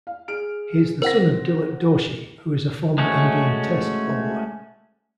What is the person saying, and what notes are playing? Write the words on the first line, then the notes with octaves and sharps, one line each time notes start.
He is the son of Dilip Doshi, who is a former Indian Test bowler.
F5
G#4 F6 D7
C4 A#4 F#5 A#6
G#3 A3 C#4 F#4